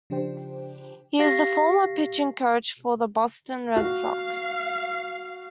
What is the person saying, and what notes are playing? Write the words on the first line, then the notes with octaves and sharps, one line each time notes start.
He is the former pitching coach for the Boston Red Sox.
C#3 F3 D4 G4 C5 G5
G4 F5 A#6 C7
F#4 F5 F6